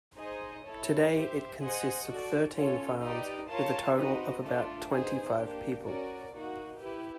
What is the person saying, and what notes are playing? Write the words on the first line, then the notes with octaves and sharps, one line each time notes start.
Today it consists of thirteen farms with a total of about twenty-five people.
D#4 G#4 C5 D#5
E4 A4 C#5
G4 C5 E5
G#4 C5 D#5 F#5
F#4 A4 D5
C#4 F4 A4 C#5
D#4 G4 B4 D5
F4 A#4 C#5 F5 A5
C4 D#4 F#4 B4 D#5
A3 D4 F4 A4
B3 D#4 G#4 C5
A#3 D4 G4
C#4 F#4 A#4 D5
A#3 D#4 F#4
E4 G4 B4